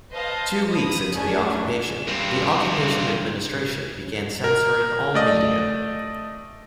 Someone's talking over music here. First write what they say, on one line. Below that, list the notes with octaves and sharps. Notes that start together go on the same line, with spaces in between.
Two weeks into the occupation, the Occupation administration began censoring all media.
B4 C5 D#5 F5 A5
B5 D#6
A3 C#4 D4 G#4
G2 C4
A#4
A3 D5 D#5